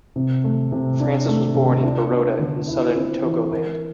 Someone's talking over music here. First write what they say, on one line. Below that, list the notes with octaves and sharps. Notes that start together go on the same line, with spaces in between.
Francis was born in Baroda in Southern Togoland.
C3
A3
C3
D4
A3
C3
D4
B3
D3
E4
C4
E3
A#4